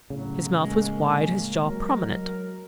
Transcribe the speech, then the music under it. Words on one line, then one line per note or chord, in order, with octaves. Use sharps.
His mouth was wide, his jaw prominent.
A2 C#3 F#3
G#3 A#3 C#4
F#3 A#4